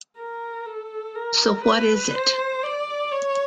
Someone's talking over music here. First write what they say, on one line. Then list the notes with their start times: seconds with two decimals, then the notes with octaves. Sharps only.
So what is it?
0.17 A#4
0.66 A4
1.15 A#4
1.64 B4
2.14 C5
2.63 D5
3.12 C#5